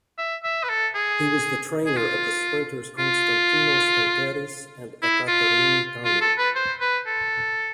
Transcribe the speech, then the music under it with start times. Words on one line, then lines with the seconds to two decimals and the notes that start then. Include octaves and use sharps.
He was the trainer of the sprinters Konstantinos Kenteris and Ekaterini Thanou.
0.18 E5
0.44 E5
0.63 B4
0.69 A4
0.95 G#4
1.86 G#4
1.97 F4
2.99 F4
5.02 E4
5.27 F4
6.04 F4
6.21 A4
6.38 B4
6.55 C5
6.81 B4
7.07 A4